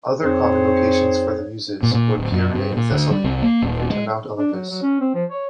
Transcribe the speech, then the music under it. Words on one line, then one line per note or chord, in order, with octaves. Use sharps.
Other common locations for the Muses were Pieria in Thessaly, near to Mount Olympus.
F2 C4 D#4 G#4 C5 C#5
A#2
A#2
D1
F#2
G2
A#2
D2
G3
C2
A#3
D#1
G#3
D4
F#3
F#3
C#4
C4
F3
C#5